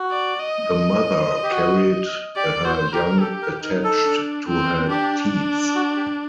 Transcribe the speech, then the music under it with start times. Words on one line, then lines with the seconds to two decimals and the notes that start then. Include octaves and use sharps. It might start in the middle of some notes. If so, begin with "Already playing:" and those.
The mother carried her young attached to her teats.
Already playing: F#4
0.11 D5
0.39 D#5
1.43 G4
1.51 F#4
2.36 G4 D5
2.64 F#4 C5
2.93 G4 A#4
3.21 G4 A4
3.42 A#4
3.63 D#4 A#4
3.84 A4
4.05 D4
4.47 C4
4.90 D4 G4
5.75 F#4
5.96 G4